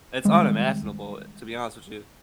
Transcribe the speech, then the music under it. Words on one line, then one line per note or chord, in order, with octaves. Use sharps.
it's unimaginable, to be honest with you.
D#3 G3 G#3 C4